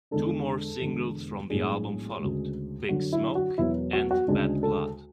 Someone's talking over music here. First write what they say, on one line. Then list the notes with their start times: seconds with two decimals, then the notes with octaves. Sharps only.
Two more singles from the album followed: "Big Smoke" and "Bad Blood".
0.11 E2 D3 G#3 D4 A4
0.81 E1 E2 D3 G#3
1.50 B1 A2 G#3 D4 G#4
2.19 D2 C#3 G#3
2.89 F#2 D3 F#3 F#4
3.13 E4
3.35 F#4
3.58 E1 E2 B2 F#3 B3 E4
3.93 F#4
4.11 F#4
4.28 D2 C#3 G#3 D4 G#4
4.63 A4